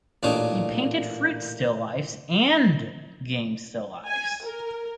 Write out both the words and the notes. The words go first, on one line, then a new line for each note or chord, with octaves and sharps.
He painted fruit still lifes and game still lifes.
A1 A#2 A#3 D4 D#4 C#5
G#5
A#4